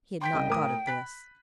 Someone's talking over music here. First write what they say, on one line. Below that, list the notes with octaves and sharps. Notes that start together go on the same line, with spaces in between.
He had not thought of this.
G5 C6 G6 B6
C2 C#3 D#5
A2 A#4 D#6
B5 F#6 B6